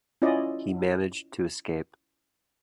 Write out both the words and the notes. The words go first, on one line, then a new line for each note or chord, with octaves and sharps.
He managed to escape.
C#4 E4 F4 D5 D#5